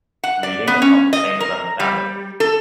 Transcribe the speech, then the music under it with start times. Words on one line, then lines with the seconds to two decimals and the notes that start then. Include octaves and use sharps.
Reading is not the same as understanding.
0.24 F#5
0.43 D5
0.67 B3
0.82 C#4
1.13 D#5
1.40 A#4
1.80 G3
2.40 A4